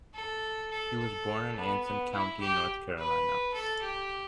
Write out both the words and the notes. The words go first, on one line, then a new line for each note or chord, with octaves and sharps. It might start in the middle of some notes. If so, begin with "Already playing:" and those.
He was born in Anson County, North Carolina.
A4
A4
A4
B3
B3
E4
G4
B4
A4
G4